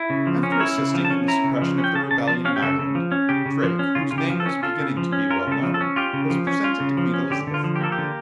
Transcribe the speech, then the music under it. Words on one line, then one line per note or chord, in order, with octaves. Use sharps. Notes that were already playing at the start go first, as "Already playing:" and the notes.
After assisting in the suppression of the rebellion in Ireland, Drake, whose name was beginning to be well known, was presented to Queen Elizabeth.
Already playing: E4
C#3
F3
C#4
A#4
E4 C#5
C#3
F3
A5
C#4
E4 A#5
C#3
F3
C#4
G5
C#3 A5
C#3 A5
F3 A5
C#4 F5
G4
C#3 A4
C#3
F3
C#4
C#3 G4
C#3
F3
C#4
C#3 F4
C#3 F4
G4
F3
A4
C#4
F4 A4
C#3
F3
C#4
F4 A#4
C#3 A4
F3
A4
C#4
F4 G4
C#3
F3
C#4
F4
C#3
F3
C#4
D3 G4
D3
F4
F3
G4
A#3 A4
G4
D3